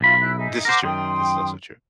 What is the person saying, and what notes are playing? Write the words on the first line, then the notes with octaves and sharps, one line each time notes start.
This is true, this is also true.
B1 F4 E5 F5 B5
E4 F#6
D#4 G#4 E5
A#4 C5 F#5 D6
F#2 D#3 G5 C6 D#6